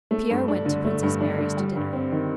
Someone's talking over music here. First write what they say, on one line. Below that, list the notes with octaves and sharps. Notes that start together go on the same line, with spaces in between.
Pierre went to Princess Mary's to dinner.
A3
G2
D4
D3
A3
G2
D4
D3
G3
G2
C4
D#3